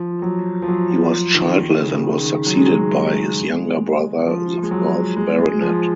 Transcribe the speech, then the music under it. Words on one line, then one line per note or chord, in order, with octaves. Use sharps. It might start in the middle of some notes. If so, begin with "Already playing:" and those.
He was childless and was succeeded by his younger brother, the fourth Baronet.
Already playing: F3
F#3
F3
F#3
F#3
F3
D#3
D#3
C#3
D#3
D#3
F#3
G#3
F#3
G#3
F3
G#3
F#3
G#3
G#3
F3